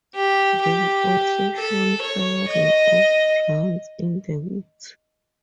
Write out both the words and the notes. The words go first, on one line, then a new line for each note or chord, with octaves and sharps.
They're also shown firing off rounds in the woods.
G4
G4
A4
C#5
D#5